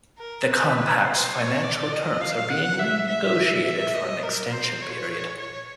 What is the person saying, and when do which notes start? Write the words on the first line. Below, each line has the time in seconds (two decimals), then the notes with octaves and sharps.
The Compact's financial terms are being renegotiated for an extension period.
0.18 A#4
0.48 B4
1.05 C5
1.34 C#5
1.63 D5
1.92 D#5
2.21 F5
2.50 F#5
2.79 E5
3.08 E5
3.66 E5
3.95 D#5
4.23 A#4
4.52 C5
4.82 C#5
5.39 C#5